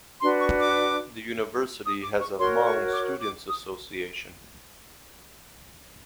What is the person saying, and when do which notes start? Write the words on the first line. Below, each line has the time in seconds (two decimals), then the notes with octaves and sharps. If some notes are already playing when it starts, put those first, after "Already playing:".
The university has a Hmong Students Association.
0.21 D4 F#4 B4 C6
0.39 C#6
0.58 D6
1.84 D#6
2.02 D6
2.20 C#6
2.38 F#4 A#4 C#5 C6
2.65 C#6
2.92 D6
3.20 D6
3.46 D#6